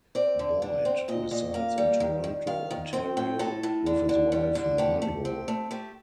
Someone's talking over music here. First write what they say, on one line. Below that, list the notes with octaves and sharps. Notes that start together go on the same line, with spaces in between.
Boyd resides in Toronto, Ontario with his wife Margo.
C4 D5
D3
D3
C4
A#2 D#5
A#2 D#5
A#3 F5
G3
D#3
D#3
D#3 F5
D#3
C4 G5
A2 G5
A2 A4
A2
D3
D3
G3
D3
A3 G4
A3
C4
A3
A3 G4